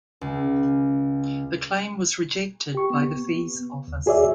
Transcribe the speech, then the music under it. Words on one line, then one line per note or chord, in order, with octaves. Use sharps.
The claim was rejected by the Fees Office.
C#2
G4 C#6
B3
D#2
F#4 G#4 C#5 D5 E5